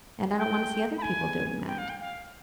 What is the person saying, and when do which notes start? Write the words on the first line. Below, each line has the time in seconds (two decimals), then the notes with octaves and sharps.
and I don't wanna see other people doing that.
0.38 G5
0.98 B5
1.02 G#5
1.67 G5
1.78 F5
1.89 G5
2.00 F5